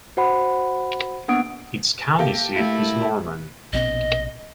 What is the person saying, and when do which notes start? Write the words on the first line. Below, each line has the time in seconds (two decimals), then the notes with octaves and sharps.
Its county seat is Norman.
0.17 F#4 C5 F#5 B5
1.28 A#3 B3 D4 F#5 D#6 D7
2.18 A#3 G4 A4
2.56 A3 E4
3.73 A#1 B2 C4 D#5